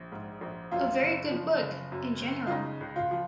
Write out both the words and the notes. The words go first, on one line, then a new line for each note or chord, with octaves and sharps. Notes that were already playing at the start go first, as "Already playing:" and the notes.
A very good book, in general.
Already playing: A#1
G#2
A#1
F#2 F4
F#1
F3
F#1
F#2
F#1
F4
C#3 D#4
C#2
F4
F3